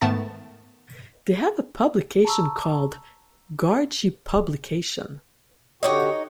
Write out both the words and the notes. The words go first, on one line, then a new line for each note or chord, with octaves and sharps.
They have a publication called 'Gargi publication'.
G#2 D#3 A3 B3 A5 A6
A5 A#5 C#6 D#6 E6
D3 D#4 F#4 G4 C#5 D#5